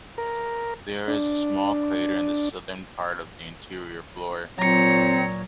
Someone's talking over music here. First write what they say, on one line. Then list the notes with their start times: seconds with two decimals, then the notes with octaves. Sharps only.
There is a small crater in the southern part of the interior floor.
0.18 A#4
1.08 D4
4.58 A#2 F#3 C4 C#5 A#5 C#7